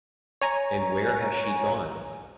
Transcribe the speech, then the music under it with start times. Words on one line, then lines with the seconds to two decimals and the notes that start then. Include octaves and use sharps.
And where has she gone?
0.41 C#5 G#5 A#5